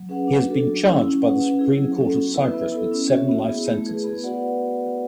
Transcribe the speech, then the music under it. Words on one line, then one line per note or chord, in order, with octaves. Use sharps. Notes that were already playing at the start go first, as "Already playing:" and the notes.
He has been charged by the Supreme Court of Cyprus with seven life sentences.
Already playing: F#3
C#4 G#4 B4 F#5
D4
F#4 A4
F#3
A3 C#4 E4
C#4
G#4 B4 F#5
C#4
E4 G#4
F#3
C#4 F#4 A4
B3
E4 B4 E5
B3
E4 A4
C#4
F#4 C#5 E5
B3
E4 G#4
A3
E4 G#4 B4
B3
F#4 B4 D5 F#5